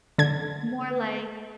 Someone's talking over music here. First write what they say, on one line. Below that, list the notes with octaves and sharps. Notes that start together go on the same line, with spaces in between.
more, like
D3 G#6